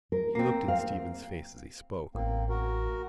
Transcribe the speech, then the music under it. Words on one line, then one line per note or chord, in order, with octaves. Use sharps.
He looked in Stephen's face as he spoke.
A#4
A#3 C4
F5
A1 A#3 C4
F#4 A#4